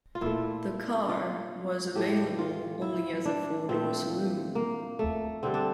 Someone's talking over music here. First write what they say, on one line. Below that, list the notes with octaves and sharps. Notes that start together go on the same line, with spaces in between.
The car was available only as a four-door saloon.
F4
A#2 A3 E4
F4
A2 F3 A3 G4
F4
E4
D4
A#2 F3 A3 C4
A#3
A3
D3 G3 C4
D4